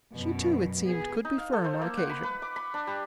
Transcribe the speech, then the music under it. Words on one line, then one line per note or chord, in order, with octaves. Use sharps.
She, too, it seemed, could be firm, on occasion.
F#2 B2
B3 G#4
D#4
F5
A4
C5
A#3
F#5
B5
B4
D6
B5
D4
G3